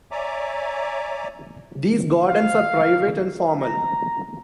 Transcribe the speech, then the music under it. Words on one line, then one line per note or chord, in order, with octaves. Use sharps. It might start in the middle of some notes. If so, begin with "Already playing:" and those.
These gardens are private and formal.
C#5 D5 E5 G#5 A#5 D6
F5
A#5